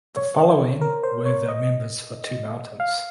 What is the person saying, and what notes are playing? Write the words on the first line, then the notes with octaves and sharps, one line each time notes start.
The following were the members for Two Mountains.
C#5
C5
A#4
C5
C#5
D#5
F5